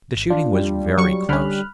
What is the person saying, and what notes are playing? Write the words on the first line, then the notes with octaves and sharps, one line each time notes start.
The shooting was very close.
G#1
D4 F4
G3
F#3 C#6
D3 C#4 B5 F6 F#6